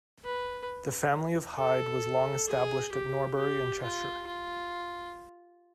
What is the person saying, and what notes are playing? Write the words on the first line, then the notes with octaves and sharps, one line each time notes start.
The family of Hyde was long established at Norbury in Cheshire.
B4
A4
G#4
G4
G4
F4
F4